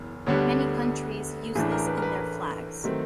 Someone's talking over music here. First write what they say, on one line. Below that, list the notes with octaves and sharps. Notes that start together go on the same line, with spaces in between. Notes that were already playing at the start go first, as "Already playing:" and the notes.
Many countries use this in their flags.
Already playing: F#1 E2
D2 D3 G3 B3 D4 C#5
A1 A2 E3 A3 D4 G#4
A#4
B4
A#4
B4
B4
D#3 F#3 A3 C4